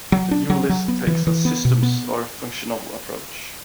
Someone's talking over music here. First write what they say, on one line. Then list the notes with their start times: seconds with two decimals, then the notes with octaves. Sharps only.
The new list takes a "systems" or functional approach.
0.12 F#3
0.31 D4
0.50 F#3
0.69 F#3
0.88 B3
1.07 E3
1.27 E3
1.45 B3
1.65 B2
1.83 B3